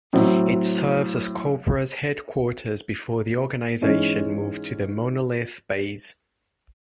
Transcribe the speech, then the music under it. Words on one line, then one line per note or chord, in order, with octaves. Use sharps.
It serves as Cobra's headquarters before the organization moved to the Monolith Base.
A2 F#3 C4
G#2 E3 G#3 C#4